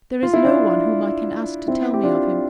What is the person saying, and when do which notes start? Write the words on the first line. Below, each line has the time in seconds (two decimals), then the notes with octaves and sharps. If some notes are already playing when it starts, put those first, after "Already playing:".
There is no one whom I can ask to tell me of him.
0.23 F4
0.33 E4
0.45 D4 F4
1.68 C4 E4
1.94 G4
2.03 D4 F4